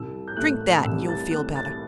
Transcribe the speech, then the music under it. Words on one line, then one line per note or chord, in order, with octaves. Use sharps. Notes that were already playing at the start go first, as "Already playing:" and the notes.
"Drink that and you'll feel better."
Already playing: C2 E6
G6
A3 F#6
C2 E6
A6
A3 F#6
A6